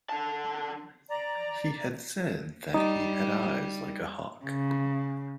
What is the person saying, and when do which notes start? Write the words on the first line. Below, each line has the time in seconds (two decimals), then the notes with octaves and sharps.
He had said that he had eyes like a hawk.
0.10 D3 A5
1.08 D5 A#5
2.74 G3 D#4
4.45 C#3